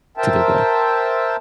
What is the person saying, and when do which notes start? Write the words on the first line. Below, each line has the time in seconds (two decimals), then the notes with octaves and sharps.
to their death.
0.17 A#4 C5 E5 G5 A5